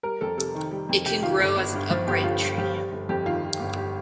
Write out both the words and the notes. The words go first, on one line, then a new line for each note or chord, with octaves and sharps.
It can grow as an upright tree.
G3 A#4
F2 A4
C3 A4
D#3
G3
F2
C3 G4
D#3 F4
G1
G1
G2
F3
G1 G4
G1 F4
G2 G4
F3 G4
G3
G1
F2 G4
D#3 F4
G3
G1
G4